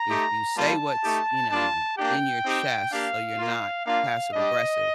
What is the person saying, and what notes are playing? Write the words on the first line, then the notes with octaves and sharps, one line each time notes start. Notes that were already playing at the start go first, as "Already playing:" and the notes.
if you say what's, you know, in your chest so you're not passive aggressive,
Already playing: A#5
A3 D#4 G4
G3 A#3 F4 A5
A3 D#4 G4
G3 A#3 D4 F4 A5
A#3 D4 G4 G5
C4 D#4 G4
A#3 D4 G4 F5
A#3 F4
A#3 D4 F4 F5
G3 D4 G4 D#5